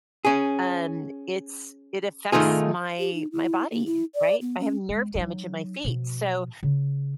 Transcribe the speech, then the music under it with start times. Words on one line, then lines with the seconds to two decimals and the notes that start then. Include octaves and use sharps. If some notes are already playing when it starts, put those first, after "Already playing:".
um, it's it affects my, my body, right? I have nerve damage in my feet, so,
0.25 C#4 G#4
2.32 D#3 A3 D#4 F4 G#4
2.99 G4
3.14 D#4
3.32 E4
3.71 A#3
3.86 E4
4.15 D5
4.41 B3
4.60 C#4
4.89 G#3
5.15 F#3 D#4
5.84 B2 F3
6.63 C#3